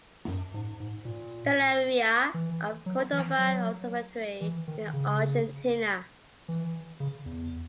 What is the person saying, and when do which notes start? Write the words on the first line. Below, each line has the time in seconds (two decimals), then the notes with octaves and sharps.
Pereyra of Cordoba observatory in Argentina.
0.27 F#2
0.54 G#2
0.80 G#2
1.05 A#2
2.34 E3
2.86 F#3
3.12 E3
3.38 F#3
4.41 E3
4.68 D#3
4.93 C#3
6.48 E3
7.00 C#3
7.26 E2